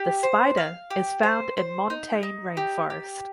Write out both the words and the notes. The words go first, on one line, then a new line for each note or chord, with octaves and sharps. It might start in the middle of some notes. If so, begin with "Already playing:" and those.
The spider is found in montane rainforest.
Already playing: G4
C5
F5
G4
C5
C5
D#4
D#4
G4
G4